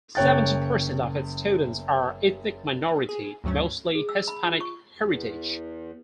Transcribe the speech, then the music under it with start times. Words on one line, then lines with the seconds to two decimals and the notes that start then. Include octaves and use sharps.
Seventeen percent of its students are ethnic minority - mostly Hispanic heritage.
0.15 F#1 C#5 G5 F#6 A6
3.09 G#4
3.44 D2 G2 F#3 A3 C#4
3.95 G#4
4.09 E6
4.28 B5
4.44 F4
4.61 C#6
4.93 E2